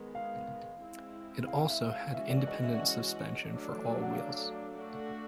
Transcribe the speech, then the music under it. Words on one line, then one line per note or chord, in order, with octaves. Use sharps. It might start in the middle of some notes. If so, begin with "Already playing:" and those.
It also had independent suspension for all for wheels.
Already playing: D#3 G#3 B3
F5
G#3 C4 E4
F5
E5
F5
C#3 E3 G#3 C#4 F#4 E5
D5
D#5
E5
D5
D#5
F#3 A3 D4
F#5
F5
A3 D4 F#4